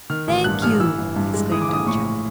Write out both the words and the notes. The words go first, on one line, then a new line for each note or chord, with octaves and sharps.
"Thank you," exclaimed Ojo.
D#3 F6
A1
G2 F#6
A1 F6
E3 E6
G1
G2
G#3
E3 D#6
D6
A#1 D#6
A2 C#6